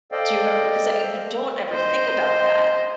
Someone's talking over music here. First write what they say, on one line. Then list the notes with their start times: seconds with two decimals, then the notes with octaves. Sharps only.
do you remember 'cause I you don't ever think about that.
0.12 A4 C5 D5 D#5 F5 G5
1.72 C5 D#5